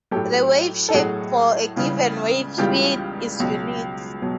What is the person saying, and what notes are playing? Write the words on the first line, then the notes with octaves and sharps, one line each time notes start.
The wave shape for a given wave speed is unique.
A2 F#3 G4 A4
A4
A2 F#3 F#4 G#4
C#2 C#3 E3 G3
C#2 C#3 E3 G3 F4 G4
C#2 B2 F#3
B2 F#3